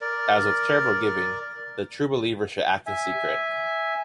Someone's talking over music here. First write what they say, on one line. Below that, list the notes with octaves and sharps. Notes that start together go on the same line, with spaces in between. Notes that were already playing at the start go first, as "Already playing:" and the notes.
As with charitable giving, the true believer should act in secret.
A#4 D5
E5 G#5